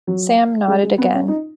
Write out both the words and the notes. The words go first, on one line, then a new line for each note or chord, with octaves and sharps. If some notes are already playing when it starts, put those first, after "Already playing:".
Sam nodded again.
F#3
G#3
G#3
B3
C#4
D#4